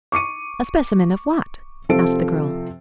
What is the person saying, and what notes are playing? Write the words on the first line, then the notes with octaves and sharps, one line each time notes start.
"A specimen of what?" asked the girl.
C#6 D6 C#7 D#7
C3 F3 C4 A4 C5 D7